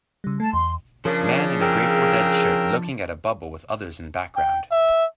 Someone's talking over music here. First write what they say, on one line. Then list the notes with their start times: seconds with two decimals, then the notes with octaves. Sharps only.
Man in a Grateful Dead shirt looking at a bubble with others in background.
0.24 C#3 G3
0.40 A3 A5
0.53 E2 C6
1.05 C#3 F3 D4 A#4
1.61 G#4 A#4 G5 E6
4.36 G5
4.71 E5